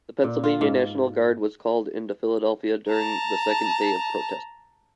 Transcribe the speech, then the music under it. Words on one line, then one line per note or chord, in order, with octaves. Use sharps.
The Pennsylvania National Guard was called into Philadelphia during the second day of protests.
A#2
F4
G#2
A5 A#5